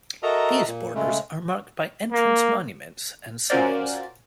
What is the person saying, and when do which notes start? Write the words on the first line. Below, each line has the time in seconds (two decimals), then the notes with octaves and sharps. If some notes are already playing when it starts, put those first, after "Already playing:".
These borders are marked by entrance monuments and signs.
0.23 F#4 A4 A#4 D#5 E5 A#5
0.66 A#2
0.95 C#3 G#3 A3
2.12 A#3
3.50 C#4 F4 F#4 A#4 C5 D5